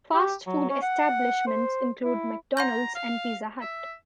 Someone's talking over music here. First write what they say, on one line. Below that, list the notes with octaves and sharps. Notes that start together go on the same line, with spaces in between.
Fast food establishments include McDonald's and Pizza Hut.
G4
F#3
C#4
F#5
C5
E4
F#5 A#5 C6 G6
F5
E5